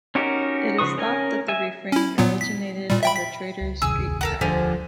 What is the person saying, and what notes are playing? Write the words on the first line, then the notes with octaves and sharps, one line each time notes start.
It is thought that the refrain originated as a trader's street cry.
C#4 D#4 F#4 G4 A#4
C#3 F3 B4 C#6 D#6
C#4 A#4 G#5
E5 G#5
C#4 E4
A#2 F#3 B3
B6
A#2 G3
E5 G5 B5
B6
C#2
F#1 D#2 C3 G#4 E6
A4 A#4 F#5
E1 D2 D3 F3 G4 G#4